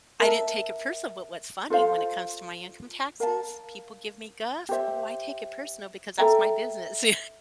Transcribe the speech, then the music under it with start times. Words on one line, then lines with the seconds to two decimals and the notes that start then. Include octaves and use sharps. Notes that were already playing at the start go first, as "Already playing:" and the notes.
I didn't take it personal, but what's funny when it comes to my income taxes, people give me guff, oh, I take it personal because that's my business. You
0.20 A#4 E5 A5
1.70 F4 A4 C5 F5
3.20 A#4 F5 A5
4.69 G4 C5 E5
6.18 A4 E5 G5 A#5